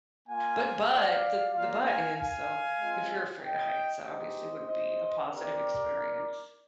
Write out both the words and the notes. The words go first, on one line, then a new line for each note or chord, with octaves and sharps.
But but the the but is so, if you're afraid of heights, that obviously wouldn't be a positive experience.
A#3 F4 F5 G#5
D5 F5
A#3 F4 D5 F5
F5 G#5
F5 G#5
G#3 C4 F4
D#5 G5
G#3 D#4 G4 C5 D#5
C5 D#5
C4 G4 A#4 D5